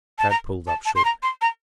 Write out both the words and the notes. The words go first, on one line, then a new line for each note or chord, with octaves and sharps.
Tad pulled up shortly.
A5
A#5
A5
A5
C6
A#5
C6
A#5